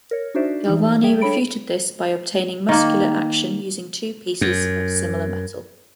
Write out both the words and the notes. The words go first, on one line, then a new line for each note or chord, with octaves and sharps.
Galvani refuted this by obtaining muscular action using two pieces of similar metal.
A#4 C#5
D4 D#4 F#4 C5 D5 E5
E3 D#4
G3 G#4 E5 G5
D4 A4 C#5 B5 D7
D#3 A#3
F#2